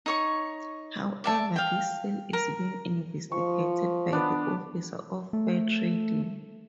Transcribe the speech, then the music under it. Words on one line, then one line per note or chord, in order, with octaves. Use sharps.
However this sale is being investigated by the office of fair trading.
D#4 C#5 C#6
D5 E5 A5
F5 G5
A#4
F3 C#6
B3 D4
A3